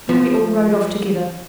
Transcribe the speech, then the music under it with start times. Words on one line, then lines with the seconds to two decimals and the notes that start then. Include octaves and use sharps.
Then we all rode off together.
0.09 F3